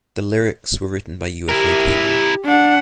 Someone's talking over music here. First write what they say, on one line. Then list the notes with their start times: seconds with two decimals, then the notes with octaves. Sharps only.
The lyrics were written by ufotable.
1.49 E4 G4 A#4
2.45 D4 F#5